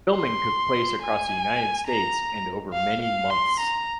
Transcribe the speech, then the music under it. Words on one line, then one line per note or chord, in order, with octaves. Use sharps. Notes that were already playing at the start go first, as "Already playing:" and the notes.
Filming took place across the United States and over many months.
C6
G#5
A#5
F5
F5
C6
A#5